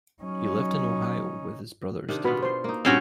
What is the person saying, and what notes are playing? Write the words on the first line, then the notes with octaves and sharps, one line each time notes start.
He lived in Ohio with his brother Stephen.
F#3 C#4 D#4
C3 D#3 D4
B2 B3 F4 F#4 B4 B5
C5 C6
A#3 D#4
G2 A#2 C4 C#4 F#4 G5